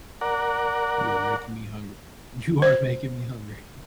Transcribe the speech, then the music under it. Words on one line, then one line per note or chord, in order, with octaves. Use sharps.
You are making me hungry. You are making me hungry.
A#4 D5 F#5
C5